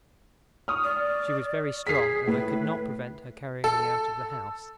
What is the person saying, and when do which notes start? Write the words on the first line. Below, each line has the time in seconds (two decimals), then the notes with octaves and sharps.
She was very strong, and I could not prevent her carrying me out of the house.
0.68 C#6 D#6 F6
0.84 D5
1.87 G#4 B6 C7
2.27 A2 B4
3.64 A4